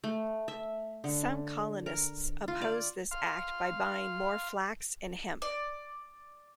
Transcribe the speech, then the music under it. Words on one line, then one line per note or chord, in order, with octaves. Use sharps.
Some colonists opposed this act by buying more flax and hemp.
A3
E5
D3
A#4
F4
D5
F5 C6
D5